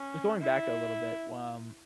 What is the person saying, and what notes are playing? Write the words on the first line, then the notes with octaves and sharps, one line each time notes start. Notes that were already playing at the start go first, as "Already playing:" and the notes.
just going back a little bit, um,
Already playing: C#4
E4